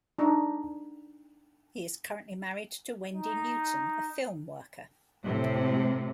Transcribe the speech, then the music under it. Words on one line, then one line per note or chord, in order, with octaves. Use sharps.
He is currently married to Wendy Newton, a film worker.
D4 D#4
D#4
A2 C3